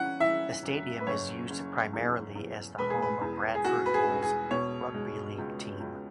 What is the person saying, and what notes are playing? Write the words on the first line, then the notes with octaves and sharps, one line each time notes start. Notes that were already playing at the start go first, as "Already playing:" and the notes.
The stadium is used primarily as the home of Bradford Bulls Rugby League team.
Already playing: E3 C#4 F#5
E3 E5
F#2
B4
F#1 C#5
F#1
E2
E2
E1 B4
G#4
B4
E2
G#4
E2 F#4
B4
G#4
E1
G#4
B2 C#5
G#3
C#2
C#2